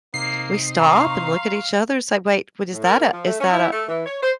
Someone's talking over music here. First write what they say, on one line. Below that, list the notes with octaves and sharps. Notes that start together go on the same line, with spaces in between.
we stop and look at each other and say, "Wait, what is that a is that a
C3 A#3 D#4 C7
F5 A#5 C6 C#6
A2
A#4
A#3
F3
A3
C#4
E4
A3
E3
C#5
C5